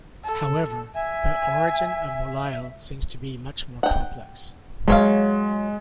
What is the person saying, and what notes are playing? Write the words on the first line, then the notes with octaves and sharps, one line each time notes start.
However, the origin of Mulao seems to be much more complex.
A4
E5 G#5
F#5 G5
F#3 G#3 C#5 F5